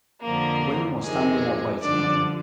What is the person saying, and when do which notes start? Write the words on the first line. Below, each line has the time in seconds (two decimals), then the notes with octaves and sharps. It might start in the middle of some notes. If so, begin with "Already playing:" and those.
The women were standing up waiting on them.
0.22 F2 D3 F3 A#3 A#4
1.02 F2 C3 D#3 G#4
1.82 G2 D3 F3 D4 D5